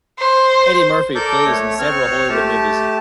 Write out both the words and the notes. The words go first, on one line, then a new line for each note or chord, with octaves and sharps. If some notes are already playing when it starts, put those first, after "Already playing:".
Eddy Murphy plays in several Hollywood movies.
C5
A4 A#4 D5 D6 G6
A3 C#5
C4 C#5 C#6 F6
A3 G4 A5